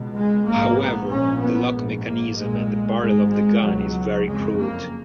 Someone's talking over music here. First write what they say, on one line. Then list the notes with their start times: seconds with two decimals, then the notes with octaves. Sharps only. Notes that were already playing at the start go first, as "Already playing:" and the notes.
However the lock mechanism and the barrel of the gun is very crude.
Already playing: C#2 B2
0.14 G#3
0.46 A#1 G#2 A#3
0.77 B3
1.08 A#1 A#2 C#4
1.40 B3
1.72 A#1 G#2
2.03 A#3
2.36 B1 A#2 G#3
2.98 G#1 G#2 G#3
3.30 G#3
3.61 C#2 B2 F#3
4.24 F#1 F2 C#3 G#3
4.56 A#3